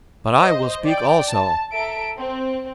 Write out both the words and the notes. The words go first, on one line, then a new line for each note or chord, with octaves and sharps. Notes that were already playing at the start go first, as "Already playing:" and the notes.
"But I will speak also!"
C5 D#5
D5 G5
A5
A4 E5 A#5 D7
C4